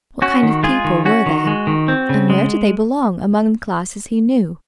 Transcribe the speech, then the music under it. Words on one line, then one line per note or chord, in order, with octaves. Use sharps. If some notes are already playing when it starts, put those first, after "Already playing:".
What kind of people were they and where did they belong among the classes he knew?
C#4 F#4
D#3
G#3 F4 G#4
D#3
C#4 F#4
D#3
G#3
D#3
C4
C#3
G#3